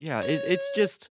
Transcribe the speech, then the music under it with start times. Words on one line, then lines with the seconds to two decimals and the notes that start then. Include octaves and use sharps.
Yeah, it it's just
0.23 C#5